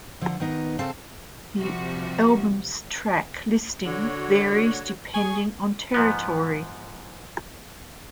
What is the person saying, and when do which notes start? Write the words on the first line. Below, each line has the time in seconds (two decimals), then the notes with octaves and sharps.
The album's track listing varies depending on territory.
0.21 D3 F3
0.40 D#3 B3 D#4
0.79 C#3 C4 A4 F5 A5
1.58 C3 F3 G3 F#4
3.86 D3 F#4 C#5
5.14 G#4 G#5 C#6
5.94 G#2 F3 B3